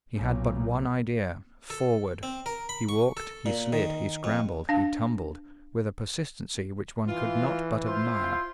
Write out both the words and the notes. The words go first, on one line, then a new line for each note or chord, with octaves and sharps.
He had but one idea--forward! He walked, he slid, he scrambled, he tumbled, with a persistency which one could not but admire.
B1 A#2
A4
C4
A#4
B5
C#6
A4
A#2
D#3
F2
D4 F5 A5
E3 F4
E4 F4 C5